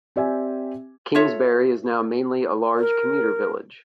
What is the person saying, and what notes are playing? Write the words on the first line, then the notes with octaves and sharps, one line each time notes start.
Kingsbury is now mainly a large commuter village.
C4 G4 D5 E5 G#5
F4 A4 C#5 E5
A#4